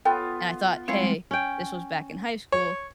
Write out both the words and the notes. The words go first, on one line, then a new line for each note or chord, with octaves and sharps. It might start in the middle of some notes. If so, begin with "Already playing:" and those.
And I thought, "Hey, this was back in high school,
B3 F4 A4 G5
G3 G#3 C4 E4 C#5 F5
C#4 G5
C#5